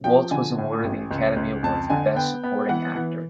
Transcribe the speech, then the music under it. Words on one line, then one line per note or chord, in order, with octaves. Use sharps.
Waltz was awarded the Academy Award for Best Supporting Actor.
F3 G5
D3 G#5
A2
A1
C#2
C#2
F2 A5
D3 G#5
B3 G5
B3
E3 F#5
E3